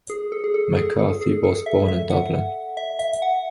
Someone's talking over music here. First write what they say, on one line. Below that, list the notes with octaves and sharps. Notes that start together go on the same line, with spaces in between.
McCarthy was born in Dublin.
G#4
A4
G#4
A4
G#4
A4
G#4
A4
E5
E5
F#5
E5
E5
F#5